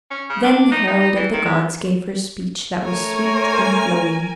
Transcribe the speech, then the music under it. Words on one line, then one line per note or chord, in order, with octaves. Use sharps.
Then the herald of the gods gave her speech that was sweet and flowing.
C#4
C#3
D4
D#4
D#4
D#4
E3
D#3
G#2
A3 A#4 C#5 G#5